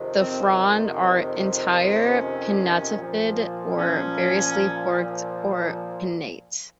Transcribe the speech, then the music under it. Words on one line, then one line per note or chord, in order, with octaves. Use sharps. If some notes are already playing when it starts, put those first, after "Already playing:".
The fronds are entire, pinnatifid, or variously forked or pinnate.
Already playing: F2 C3 D#3
C4
C#4
A#2 F3
C#4